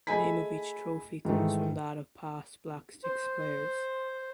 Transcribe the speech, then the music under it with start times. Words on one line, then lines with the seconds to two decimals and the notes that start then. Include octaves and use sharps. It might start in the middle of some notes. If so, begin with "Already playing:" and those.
The name of each trophy comes from that of past Black Sticks players.
0.07 A3 G#4 D#5 G#5 B5 B6
1.25 G#2 D#3 E3 A3
3.04 C5